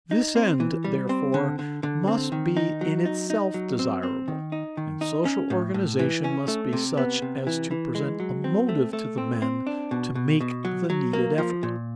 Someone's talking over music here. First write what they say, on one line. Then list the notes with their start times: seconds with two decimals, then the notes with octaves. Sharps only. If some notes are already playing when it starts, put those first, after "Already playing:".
This end, therefore, must be in itself desirable, and social organization must be such as to present a motive to the men to make the needed effort.
0.11 D#4
0.36 C4
0.60 E3
0.84 G3
1.09 C4
1.34 D3
1.59 D3
1.83 D3
2.08 C4
2.32 D#3
2.57 D#4
2.81 F#3
3.05 D#4
3.30 D#4
3.54 F#3
3.79 C4
4.03 C4
4.28 D#3
4.52 D#4
4.77 D#3
5.01 D#4
5.25 C#4
5.50 A2
5.74 A2
5.99 E3
6.24 C#4
6.48 A3
6.73 C3
6.97 B3
7.22 C3
7.47 E3
7.71 E3
7.95 G#3
8.20 F#3
8.44 C4
8.69 A3
8.93 A3
9.18 C4
9.42 C4
9.67 D4
9.91 B2
10.15 B2
10.41 B2
10.65 F#3
10.90 F#3
11.13 A#3
11.38 F3
11.63 A#2